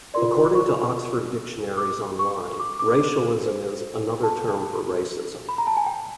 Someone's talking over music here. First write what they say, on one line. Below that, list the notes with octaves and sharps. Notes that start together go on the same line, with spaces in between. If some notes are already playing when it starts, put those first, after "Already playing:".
According to Oxford Dictionaries Online, racialism is "another term for racism".
F4 A#4 D5 C6
C#6
D6
C#6
D6
D6
F#4 A4 C5
A5
B5
A#5
A5
G#5
G5